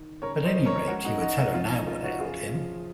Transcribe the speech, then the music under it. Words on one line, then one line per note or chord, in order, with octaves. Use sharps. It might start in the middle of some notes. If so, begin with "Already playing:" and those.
At any rate, he would tell her now what ailed him.
Already playing: D#3
C#3 A#4 C#5
C5 D#5
F3
A#4 C#5
C#2 F#4 A#4
D#4 F#4
C#2 D#4 F#4
D#4
F3 F4
D#4
C#3 F4
D#4 F#4
F#2 F4 G#4
F3